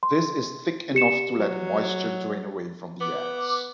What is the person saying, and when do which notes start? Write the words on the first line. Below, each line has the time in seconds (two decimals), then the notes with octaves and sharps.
This is thick enough to let moisture drain away from the eggs.
0.03 C6
0.95 G4 C#7 E7
1.38 F#3
3.01 B3 D6